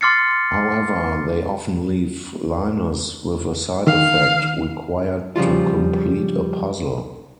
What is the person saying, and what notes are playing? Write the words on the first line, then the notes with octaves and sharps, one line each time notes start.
However, they often leave Linus with a side-effect, required to complete a puzzle.
C6 D6 F6 A6 C7 C#7
D#3 F5
C#3 F3 G3 F4